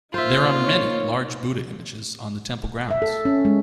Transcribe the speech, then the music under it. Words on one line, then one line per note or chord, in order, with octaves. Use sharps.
There are many large Buddha images on the temple grounds.
A#3 D#4 F4 C5 E5
C#5
E5
A4
C#4
G#3